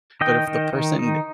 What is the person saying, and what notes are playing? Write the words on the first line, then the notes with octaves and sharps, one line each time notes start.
but if the person,
D#3 D#5 G5
D#3
D#3
D#4